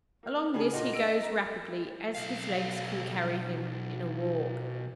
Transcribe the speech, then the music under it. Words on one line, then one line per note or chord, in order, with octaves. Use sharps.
Along this he goes rapidly as his legs can carry him--in a walk.
A#3 F6
C#3 D4 G#4
A#2 F#4 D#5
E6 D7
A#5
B1 F5